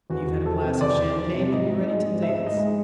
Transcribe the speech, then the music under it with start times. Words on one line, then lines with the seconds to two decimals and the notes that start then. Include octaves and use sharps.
When you've had a glass of champagne, you'll be ready to dance.
0.10 E2 F#4
0.28 E2
0.45 F3 A4
0.63 C3
0.81 E2 D5
0.99 E2
1.16 F3
1.34 C3
1.52 G#2 D#5
1.70 G#2
1.87 G#3 D#5
2.05 F3
2.22 G#2 E5
2.40 G#2
2.47 D#5
2.58 G#3